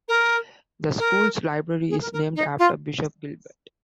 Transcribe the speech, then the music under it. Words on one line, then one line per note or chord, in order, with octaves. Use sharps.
The school's library is named after Bishop Gilbert.
A#4
A#4
G#4
A#4
A#4
D#4
F4